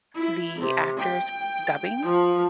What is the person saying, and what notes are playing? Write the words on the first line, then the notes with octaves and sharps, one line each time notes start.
the actors dubbing,
E4
C3
G5
F3